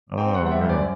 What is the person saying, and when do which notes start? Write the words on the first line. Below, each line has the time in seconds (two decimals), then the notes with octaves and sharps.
Oh, man.
0.17 C4 G5
0.35 F#5
0.41 G3
0.46 F#5
0.51 E5
0.61 F#2 C5
0.69 D5